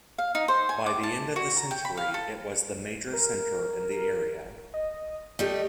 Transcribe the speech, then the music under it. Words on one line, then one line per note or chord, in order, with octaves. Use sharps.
By the end of the century it was the major centre in the area.
F5
D#4
C5
G#5
D6
A5
F#4
A#5
G5
B5
F5
A4
A#4
D#5
G3 A3 G4 D#5